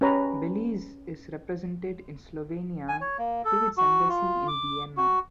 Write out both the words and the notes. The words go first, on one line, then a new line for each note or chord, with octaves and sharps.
Belize is represented in Slovenia through its embassy in Vienna.
C#4 G4 B4 C#5 A#5
G#5
C#5
A#3
A4
F#4
F4
D6
F#4